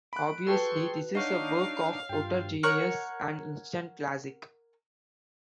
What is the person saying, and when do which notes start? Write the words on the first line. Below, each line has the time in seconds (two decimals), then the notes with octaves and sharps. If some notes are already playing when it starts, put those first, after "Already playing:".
Obviously this is a work of utter genius, an instant classic.
0.13 B5 F#6 D7
0.47 F#4 G#4 A4 B4 G5 A5 C6 C#6
1.15 D4 D#4 C#5 D#5 F5 F#5 C#6 C7
2.09 G2 F4 G5
2.63 A#4 C#5 F#5 C#6